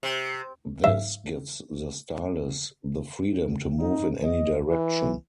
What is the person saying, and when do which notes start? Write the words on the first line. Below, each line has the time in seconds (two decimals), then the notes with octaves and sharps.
This gives the stylus the freedom to move in any direction.
0.03 C3
0.84 G#2 F#3 E5 F5
3.79 D#4
4.24 D#5
4.69 E3